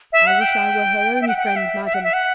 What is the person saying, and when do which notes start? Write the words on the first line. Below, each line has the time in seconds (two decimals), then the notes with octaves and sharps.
'I wish I were her only friend, madam.
0.13 E5
0.27 F#5
0.41 G5
1.22 E5
1.28 F#5
1.38 F#5
1.47 G5
1.56 E5
1.85 E5
1.94 F#5
2.04 E5
2.14 F#5